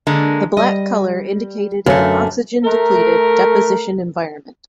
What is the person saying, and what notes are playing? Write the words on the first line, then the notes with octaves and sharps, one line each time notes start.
The black color indicated an oxygen depleted deposition environment.
D3 G#3 A#3
G3 D#5
F#2 D3 A3 B4 F5
A3 A#4